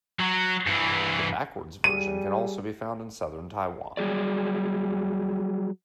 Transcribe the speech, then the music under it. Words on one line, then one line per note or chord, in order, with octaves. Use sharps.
The backwards version can also be found in Southern Taiwan.
F#3
G2 E3
G3 G#4 D#7
F#3 G3 G#4 D5